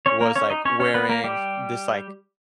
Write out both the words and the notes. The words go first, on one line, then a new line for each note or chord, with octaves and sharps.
was, like, wearing this, like,
C#4 C#5
A#3 A#4
C#4 C#5
D#4 D#5
C#4 C#5
C#4 C#5
B3 B4
A#3 A#4
G3 G4